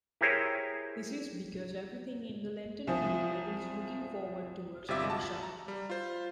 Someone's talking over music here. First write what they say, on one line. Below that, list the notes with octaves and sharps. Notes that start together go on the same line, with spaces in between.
This is because everything in the Lenten period is looking forward towards Pascha.
E4 G4 G#4 A#4 C5 C#5
C2 F3 E5 G#5 D#6
G1 C3 G3 F4 E5 D6
F#4 A5
A#5
G3
F4 C5